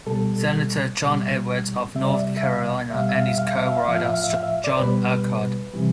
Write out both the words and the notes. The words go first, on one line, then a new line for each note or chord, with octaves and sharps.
Senator John Edwards of North Carolina and his co-writer, John Auchard.
B2 G3 A4
B2 G3
C3 G3 E5
D5
E5
E5
F5
B2 G3 E5
F5
E5
F5
E5
F5
E5
F5
E5
F5
A2 F3 E5
F5
E5
F5
E5
F5
E5
D5
C5
B2 G3 B4
C3 E3 G3